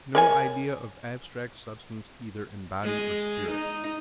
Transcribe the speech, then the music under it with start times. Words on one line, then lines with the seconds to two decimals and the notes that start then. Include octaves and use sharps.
No Idea of abstract Substance either in Body or Spirit.
0.15 A#4 C#5 G#5
2.83 G#3
3.51 D#4